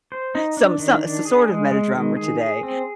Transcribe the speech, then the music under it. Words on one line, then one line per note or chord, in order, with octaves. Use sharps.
Some so s sort of met a drummer today,
C5
D#4
D4
D#3
D4
G#4
G#3
G#3
D#3
G#4
G#4
C4